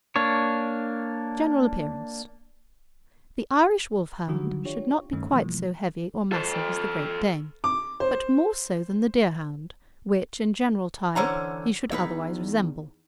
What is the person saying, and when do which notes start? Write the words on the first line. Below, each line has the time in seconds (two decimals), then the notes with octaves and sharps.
GENERAL APPEARANCE--The Irish Wolfhound should not be quite so heavy or massive as the Great Dane, but more so than the Deerhound, which in general type he should otherwise resemble.
0.16 A#3 D4 C#5
4.28 D3 D#3 F#3 G3 F#4
4.65 D4 F4 G4 C#5
5.13 G2 D#3 A3 C#4
5.32 B2 E3 F3 G3 A#3
6.32 A4 C5
7.64 D6
8.00 C5
11.16 D3 E3 C#4 C5 F#5 A#5
11.92 E2 D#4 B4